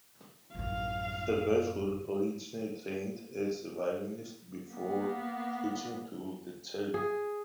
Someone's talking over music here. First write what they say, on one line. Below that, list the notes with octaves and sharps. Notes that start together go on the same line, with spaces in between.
Servais was originally trained as a violinist before switching to the cello.
A1 F#2 F5
A#3 B3
G#4